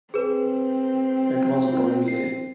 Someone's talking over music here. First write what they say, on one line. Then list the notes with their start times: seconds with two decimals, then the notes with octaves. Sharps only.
It was growing late.
0.14 C4 G#4 B4
2.08 C7